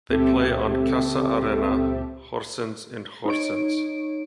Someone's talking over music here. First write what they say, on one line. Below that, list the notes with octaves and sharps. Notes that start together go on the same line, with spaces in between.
They play on Casa Arena Horsens in Horsens.
C#2 A#2 C4 G4 A4 E5
D#4 C#5 D7